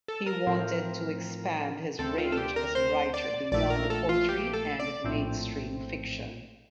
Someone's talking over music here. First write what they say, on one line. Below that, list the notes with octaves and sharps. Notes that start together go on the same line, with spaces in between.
He wanted to expand his range as a writer beyond poetry and mainstream fiction.
A4
A#4
A2 F3 C4
D2 D3 A3 C4 A4
F4
A4
G4
A#4
C5
D5
A#1 A#2 A3 D5
A#4
A4
F4
G4
A4
D5
A#1 A2 A3 C4